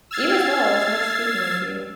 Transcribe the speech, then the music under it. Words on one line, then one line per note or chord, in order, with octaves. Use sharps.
You as well. It was nice speaking with you.
E6 F6 G#6 A6 C7